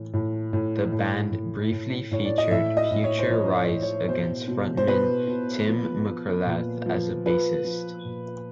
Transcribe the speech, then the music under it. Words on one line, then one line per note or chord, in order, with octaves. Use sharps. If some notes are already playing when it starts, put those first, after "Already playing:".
The band briefly featured future Rise Against frontman Tim McIlrath as a bassist.
Already playing: A2 E3
A2
A2
A2
A2
A2
A2 C#5
D5
D#5
A2 E5
D#5
A2
C#5
C5
F3 C#5
D#5
A2
C#5
B2 C5
B2
C5
B2 B4
B2
F3
F3
A#2
F3
F3 B4
F3
A#2